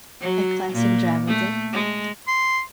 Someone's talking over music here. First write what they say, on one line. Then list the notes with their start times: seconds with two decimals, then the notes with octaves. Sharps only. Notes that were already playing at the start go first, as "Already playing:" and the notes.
A classic dramedy?
0.21 F#3
0.72 A#2
1.27 A3
1.72 G#3
2.28 C6